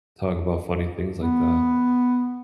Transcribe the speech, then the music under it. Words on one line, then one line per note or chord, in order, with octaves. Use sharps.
talk about funny things like that.
B3